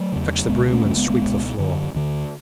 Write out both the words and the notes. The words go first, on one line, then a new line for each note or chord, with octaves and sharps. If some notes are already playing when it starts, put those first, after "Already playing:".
Fetch the broom and sweep the floor.'
Already playing: F#3 A3
E2 C#3
C#2 C#3 G#3 B3
A3 C#4
C#2 C#3 A3 C#4
G#3 B3
G#3 B3
C#2 B2 G#3 B3
F#2 D3
D2 D3